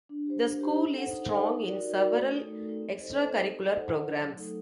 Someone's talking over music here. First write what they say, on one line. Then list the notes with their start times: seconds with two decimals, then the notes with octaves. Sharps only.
The school is strong in several extracurricular programs.
0.09 D4
0.26 G4 C5
0.43 D4
0.60 G4 C5
0.77 D#4
0.94 A4 C5 F#5
1.11 D#4
1.28 A4 C5 F#5
1.46 D#4
1.63 F#4 A#4 D5
1.80 D#4
1.97 F#4 A#4 D5
2.14 A3
2.31 D#4 A4
2.48 A3
2.66 D#4 A4
2.82 C4
2.99 D#4 A4 C5 D#5
3.17 C4
3.34 D#4 A4 C5 D#5
3.51 D#4
3.68 A4 C5 F#5
3.85 D#4
4.02 A4 C5 F#5
4.19 F#3
4.37 A3 D#4 A4